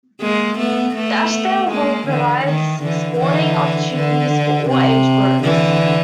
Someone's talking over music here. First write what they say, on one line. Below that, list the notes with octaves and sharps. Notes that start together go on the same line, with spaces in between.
The Ashdale Hall provides sporting opportunities for all age groups.
G#3 A#3
A3 B3
A3 B3
G#3 A#3
D3 E3
D#3
D3 E3
D3 E3
D3
C3
D3 E3